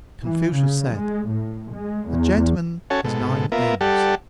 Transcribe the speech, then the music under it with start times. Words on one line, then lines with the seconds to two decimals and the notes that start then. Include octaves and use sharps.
Confucius said, A gentleman has nine aims.
0.24 E3
0.56 C#3
0.94 G#3
1.28 A2
1.73 G#3
2.09 E2
2.90 C#4 F#4 A4 C#5 G#5 A5
3.04 G#2 B2 A4
3.52 A#3 B3 F4 A#4 E5
3.81 G3 G4 A4 D5 F#5 A5